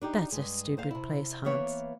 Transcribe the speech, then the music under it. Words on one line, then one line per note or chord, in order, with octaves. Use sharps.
'That's a stupid place, Hans.
D4 D#4 G4
G2 G#3
D#2 C5 F5
C3 E4
E3 A#3 B3 C#5 E5 F5